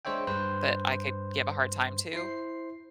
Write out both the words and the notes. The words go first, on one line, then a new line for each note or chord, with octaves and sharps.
that I could give a hard time to
G#3 D4 C5 C#5 E5 G5
G2 B4 C5
E4 C5 C7